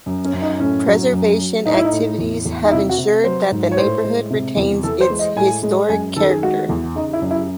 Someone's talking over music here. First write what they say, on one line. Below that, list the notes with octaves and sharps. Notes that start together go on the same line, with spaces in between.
Preservation activities have ensured that the neighborhood retains its historic character.
F#2
C#4
F#2
D#4
A2 C#4
F#3
F#2
F#3
A2 D#4
E4
D#4
A2
E2
E2
D#4
C3 E4
F#4
C3
F#3 C5
G#2
C#5
A2 C5
G#3
C3
E2
E3 A4
C5
G#3
D#5
A2 G#5
G#3
F#2 G#5
D#3 A4
G#4
G#3 F#4
E2
C#3 D#4
E4
F#2
E4